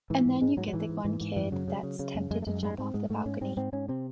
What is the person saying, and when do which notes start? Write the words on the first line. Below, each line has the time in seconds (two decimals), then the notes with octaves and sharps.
And then you get the one kid that's tempted to jump off the balcony.
0.10 G#2 E3
0.26 G#2
0.41 G#2 G#3
0.57 G#2 F#3
0.68 F#3
0.73 G#2 E3
0.89 G#2
1.05 G#2 E3
1.21 G#2
1.36 F#2 E3
1.52 C#3 F#3
1.68 C#3
1.83 C#3
1.99 C#3
2.15 F#2
2.31 F#2 G#3
2.42 A3
2.47 F#2 G#3
2.62 G#2 G#3
2.78 G#2 C4
2.94 G#2 G#3
3.10 G#2 A3
3.26 G#2 C#4
3.41 G#2 C4
3.57 G#2 C4
3.73 G#2 C#4
3.89 C3 C4